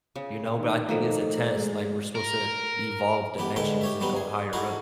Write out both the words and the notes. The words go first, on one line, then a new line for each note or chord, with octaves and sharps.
you know? But I think it's a test. Like, we're supposed to evolve dimensions and go higher up.
C#3
D#3
D#3 F3 F#3 A3 A#3 A4 D#5
G#3
A#4
E3 B3 G4
G#2 D3 G#3 A4 B4 G5
G4 C#5 E5
F#3 G3 B3 D#4 G4
G#4
D#4 E4 F#4 G#4 A4